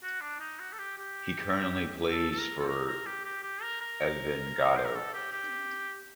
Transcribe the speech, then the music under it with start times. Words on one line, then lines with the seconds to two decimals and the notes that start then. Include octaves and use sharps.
He currently plays for Envigado.
0.03 F#4
0.21 D4
0.40 D#4
0.60 F#4
0.73 A4
0.79 G4
0.98 G4
2.11 A4
2.31 A4
2.39 A#4
2.59 A4
2.68 A#4
2.87 A#4
3.06 G4
3.24 G4
3.43 G4
3.62 A#4
3.81 A#4
4.76 C5
4.85 A#4
4.95 A4
5.14 G4
5.32 G4